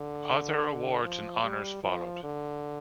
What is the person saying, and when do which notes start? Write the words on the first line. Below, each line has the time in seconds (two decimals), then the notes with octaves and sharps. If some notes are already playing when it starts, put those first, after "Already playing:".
Other awards and honors followed.
Already playing: D3
1.03 F3
1.43 G3
1.84 F3
2.24 D3